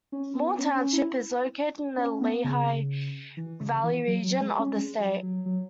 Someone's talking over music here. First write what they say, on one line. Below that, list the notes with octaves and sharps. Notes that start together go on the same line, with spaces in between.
Moore Township is located in the Lehigh Valley region of the state.
C#4
B3
C#4
C#4
E4
C#4
B3
C#3
E3
C#3
E3
F#3
F#3
G#3
C#4
G#3
F#3
F#3
F#3